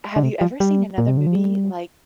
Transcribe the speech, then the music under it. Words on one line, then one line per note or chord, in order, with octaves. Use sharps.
have you ever seen another movie like
D3
C3
F3
G3
A#2
C3
D3
F3
G3